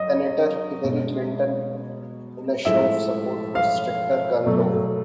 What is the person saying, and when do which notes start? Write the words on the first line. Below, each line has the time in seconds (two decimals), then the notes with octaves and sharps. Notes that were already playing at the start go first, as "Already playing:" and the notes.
Senator Hillary Clinton in a show of support for stricter gun laws.
Already playing: F#3 D#5
0.84 B2 G#3
2.65 A2 F3 G#3 E5
3.55 F5
4.46 B2 F#3 A3